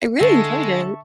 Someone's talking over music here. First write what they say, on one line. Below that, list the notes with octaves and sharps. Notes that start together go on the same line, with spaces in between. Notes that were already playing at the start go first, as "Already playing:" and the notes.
I really enjoyed it.
D3 G#3 A4 E5 A5 C#6